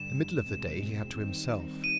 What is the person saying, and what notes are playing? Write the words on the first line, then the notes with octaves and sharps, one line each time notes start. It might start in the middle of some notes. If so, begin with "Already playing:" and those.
The middle of the day he had to himself.
Already playing: G2 D3 G3 E7
E2 B2 G#3 C4
D#3 G3 C4 D#4
D#7